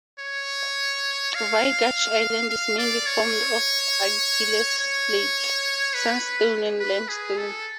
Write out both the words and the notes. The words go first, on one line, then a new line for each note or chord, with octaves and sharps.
Vaygach Island is mainly formed of argillaceous slates, sandstone, and limestone.
C#5
F5
F5
D5
C#5
C#5
B4
B4
G#4
A4